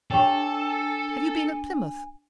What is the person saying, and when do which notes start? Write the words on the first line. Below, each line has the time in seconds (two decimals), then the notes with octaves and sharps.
'Have you been at Plymouth?
0.11 D4 G4 A4 C#5 G5 G#5